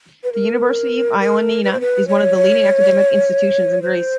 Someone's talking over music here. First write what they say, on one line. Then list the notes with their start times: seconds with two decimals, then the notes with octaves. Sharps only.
The University of Ioannina is one of the leading academic institutions in Greece.
0.24 B4
0.33 A#4
1.20 A#4
1.63 B4
1.72 C5
1.80 B4
2.08 C#5
3.82 C5